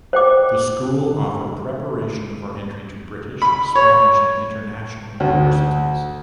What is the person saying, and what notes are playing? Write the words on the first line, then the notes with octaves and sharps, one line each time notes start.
The school offer preparation for entry to British, Spanish and international universities.
C5 G5 D6
B5
C#5
D2